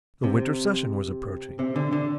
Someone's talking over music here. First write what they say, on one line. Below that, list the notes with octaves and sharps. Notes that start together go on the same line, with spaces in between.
The winter session was approaching.
C3
C3
D3
D3